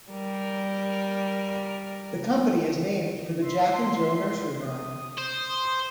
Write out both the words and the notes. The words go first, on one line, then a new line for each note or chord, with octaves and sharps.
The company is named for the Jack and Jill nursery rhyme.
G3 A#4
E5 C6
D#6
C5